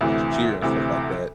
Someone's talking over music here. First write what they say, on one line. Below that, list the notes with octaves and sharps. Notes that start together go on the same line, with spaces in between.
just cheer and stuff like that,
D2 C3 E3
D2 C3 E3